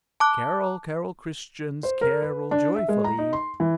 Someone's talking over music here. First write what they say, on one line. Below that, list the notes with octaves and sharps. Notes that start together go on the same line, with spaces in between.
"Carol, carol, Christians, Carol joyfully."
A5 D6 F#6
C5
A#4
B4
D4
E5
G#3
A#5
D#4
C6
E3